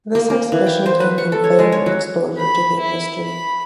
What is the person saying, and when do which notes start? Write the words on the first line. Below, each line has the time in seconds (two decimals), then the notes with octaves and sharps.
This exhibition gained him fame and exposure to the industry.
0.15 A#3
0.30 A#3
0.52 E3
0.66 G5
0.86 C5
1.00 B4
1.18 C#6
1.32 A4
1.44 C#5
1.59 G#3
1.72 C#5
1.86 F#3
2.37 B5
2.80 E4
3.21 B5